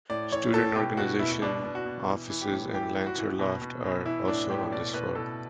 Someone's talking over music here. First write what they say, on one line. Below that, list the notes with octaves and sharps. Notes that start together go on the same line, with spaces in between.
Student organization offices and Lancer Loft are also on this floor.
A2 D5
E3 C#5
A2 A4
B2 G4
B2 F#4
B2 E4
E4
B2 D4
B2
F#4
B2
E3
E3
G4
A2
E3 G4
E3
F#4
E3
B2
B2
B2
E3 E4
A2 D4
A2 G4
B2 D5
B2 B4
B2 A4